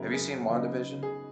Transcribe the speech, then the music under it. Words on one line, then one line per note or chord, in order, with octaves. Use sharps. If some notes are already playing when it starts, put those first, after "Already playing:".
have you seen WandaVision?
Already playing: F#2 C#3 G#3 B3 E4 A#4
G#4
C#3 F#3 B3 D#4
G#4